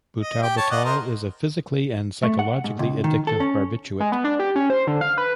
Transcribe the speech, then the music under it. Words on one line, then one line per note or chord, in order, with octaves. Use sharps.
Butalbital is a physically and psychologically addictive barbiturate.
D#5
G4 G5
C#5 A5
D5 D#5 F#5
A#4 C5 D#5
A3
F#5
G#2
C#2
D#3
A4
C#4
G#3
B3
D4
G4
C#4
C5
D3
F5
B4